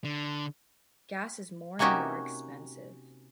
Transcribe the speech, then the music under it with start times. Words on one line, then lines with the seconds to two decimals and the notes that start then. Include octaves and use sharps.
Gas is more and more expensive.
0.04 D3
1.79 C3 A#3 C#4 D#4 F#4 G4